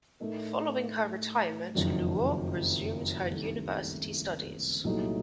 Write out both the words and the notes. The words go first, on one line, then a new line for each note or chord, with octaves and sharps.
Following her retirement, Luo resumed her university studies.
A2 A3 D#4 A#4
F#1 F2 D#3 F#3
C2 C3 D#3 A3
C2 A#2 F#3 A3 D#4